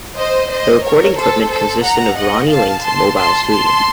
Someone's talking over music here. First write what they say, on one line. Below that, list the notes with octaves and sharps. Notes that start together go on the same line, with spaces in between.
The recording equipment consisted of Ronnie Lane's Mobile Studio.
C5 D#5
C5 D#5
A#4 C#5
A4 C5
A4 C5
F#5 A#5
D#5 F#5
F5 A5
A5 C6
A5 C6
A5 C6